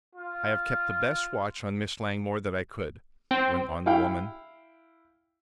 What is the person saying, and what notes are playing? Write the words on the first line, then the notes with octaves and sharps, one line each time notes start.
"I have kept the best watch on Miss Langmore that I could," went on the woman.
F4
C4
E4 F5 G5